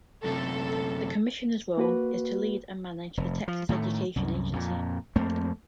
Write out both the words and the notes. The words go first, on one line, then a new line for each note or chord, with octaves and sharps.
The commissioner's role is to lead and manage the Texas Education Agency.
F#2 C3 A4
A#3 F#4 B4
F1
F3
A2 D#3 A3
C2 F#2
F2 A#2
F2 A3 A#3 C4